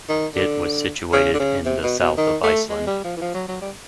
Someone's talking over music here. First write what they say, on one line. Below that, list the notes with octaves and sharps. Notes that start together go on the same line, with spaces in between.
It was situated in the south of Iceland.
D#3
D3
C#3
D3
C#3
C3
B2
B2
D#3
A3
G#3
G3
F3
E3
F3
F#3
F#3
G3